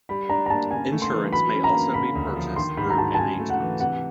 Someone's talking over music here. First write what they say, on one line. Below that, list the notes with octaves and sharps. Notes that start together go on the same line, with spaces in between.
Insurance may also be purchased through an agent.
G3 B5
D4 A#5
A#5
A#3 A5
C#3 G#5
A3
C6
E3
F#3 B5
C#4
A#5
A#3
C#3 B5
D2
F3
D#3 C6
G#2 B5
A#5
F#3 A5
A5
C#3 G#5
A3
F#5
E3
C3 F#5